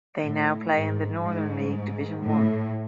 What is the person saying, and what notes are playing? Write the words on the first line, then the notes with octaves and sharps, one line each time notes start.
They now play in the Northern League Division One.
A2
G#2
G#2
A2